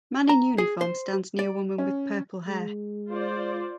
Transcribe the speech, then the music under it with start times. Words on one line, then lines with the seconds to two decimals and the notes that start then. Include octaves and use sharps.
Man in uniform stands near woman with purple hair.
0.29 A#5
0.58 G#4
0.81 C5
1.39 D5
1.78 C#4
2.47 G#3
3.09 F4 C5 D5